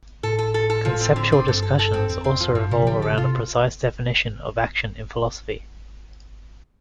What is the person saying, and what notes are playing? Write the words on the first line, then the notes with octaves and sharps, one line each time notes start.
Conceptual discussions also revolve around a precise definition of action in philosophy.
A2 A4
A4
A4
A4
F3
C4
D3
C4
G2 A4
A4
A4
C4
F2 C4
C4
F2
F3
G2 F3
C3 G3
F3 G3
D3
A4
C3 F4